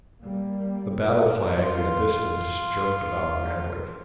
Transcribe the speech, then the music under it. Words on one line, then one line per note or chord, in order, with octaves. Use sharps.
The battle flag in the distance jerked about madly.
G3 A#3
F4 C6